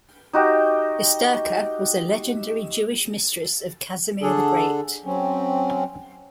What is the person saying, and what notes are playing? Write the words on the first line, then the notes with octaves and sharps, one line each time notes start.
Esterka was a legendary Jewish mistress of Casimir the Great.
D#4 F#4 G4
D3 D4 G#4 A4
F#3 C4 C#4